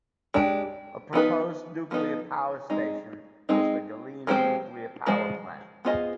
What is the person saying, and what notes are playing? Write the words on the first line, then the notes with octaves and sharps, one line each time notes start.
A proposed nuclear power station was the Galena Nuclear Power Plant.
G#3 D4 G4
F3 B3 D#4 B4
F3 B3 D#4 B4
G#3 C4 D#4
G#3 C4 D#4
F3 G#3 C4 G4 C5
F3 G#3 C5
B3 F4 G#4 C5 D#5